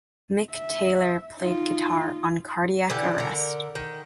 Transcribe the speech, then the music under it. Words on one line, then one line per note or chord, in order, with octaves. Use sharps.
Mick Taylor played guitar on "Cardiac Arrest".
E5
D#4 F4
D3 E3 G4
D3 A#4
D#3